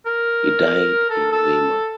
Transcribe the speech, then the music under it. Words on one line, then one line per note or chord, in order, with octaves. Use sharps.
He died in Weimar.
A#4
A4
A4